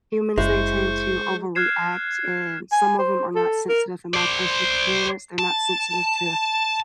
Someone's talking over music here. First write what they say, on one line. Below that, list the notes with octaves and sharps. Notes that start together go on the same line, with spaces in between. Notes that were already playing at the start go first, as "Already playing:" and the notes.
humans, they tend to overreact, and some of 'em are not sensitive in my person experience, they're not sensitive to
F#1 G#3 E4 C5 C#6
F6 F#6 G#6 C7 E7
G#5
C5
A4
A#4
C5 D5
A5